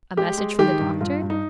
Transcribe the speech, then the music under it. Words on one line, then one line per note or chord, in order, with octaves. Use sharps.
'A message from the doctor?'
G#3 G4
G#3
D#3 G4
G2
G2 F4
G2
D#4